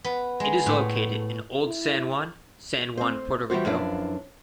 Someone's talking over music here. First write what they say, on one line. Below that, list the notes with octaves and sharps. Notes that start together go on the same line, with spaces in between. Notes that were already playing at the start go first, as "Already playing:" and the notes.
It is located in Old San Juan, San Juan, Puerto Rico.
B3
G#3
A2
E4
C4 C5
E3 G3 F4 F#4 C5
F#2 F3 D4 E4 B4 F5